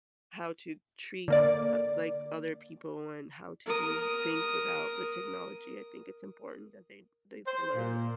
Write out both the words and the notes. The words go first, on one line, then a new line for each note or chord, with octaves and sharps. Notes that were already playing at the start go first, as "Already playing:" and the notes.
how to treat, uh, like, other people and how to do things without the technology, I think it's important that they they they learn that.
D3 A#3 D5
A#4 D#6
C5
A#2